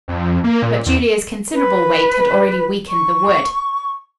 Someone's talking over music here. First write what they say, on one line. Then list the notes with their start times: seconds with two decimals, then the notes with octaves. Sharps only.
But Julia's considerable weight had already weakened the wood.
0.08 F2
0.44 A#3
0.62 A#2
0.86 E2
1.54 B4
2.89 C#6